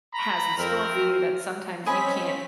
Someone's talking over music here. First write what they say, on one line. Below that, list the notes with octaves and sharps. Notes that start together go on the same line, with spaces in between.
has in store for you that sometimes you can't
A#5 B5
F2 C4 A#4
F#4
C4 C#4 D#5 G#5 B5 B6